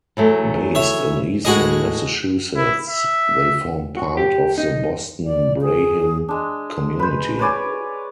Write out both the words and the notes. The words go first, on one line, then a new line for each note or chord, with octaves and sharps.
Based in eastern Massachusetts, they formed part of the Boston Brahmin community.
E2 F#3 A3
C#5 E5
A2 G#3 F#4 G#4 D#5
E4
E5
F#4
G4
D#4
D5
G#4
G#3 D4
B4 C5
B4 C#5 D5 G#5